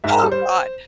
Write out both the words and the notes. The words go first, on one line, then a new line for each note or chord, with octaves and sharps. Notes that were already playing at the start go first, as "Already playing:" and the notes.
Oh god!
G#2 E5
G3
C5